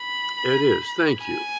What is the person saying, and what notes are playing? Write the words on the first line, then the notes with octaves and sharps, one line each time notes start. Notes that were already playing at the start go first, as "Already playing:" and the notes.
It is, thank you.
Already playing: B5
G#5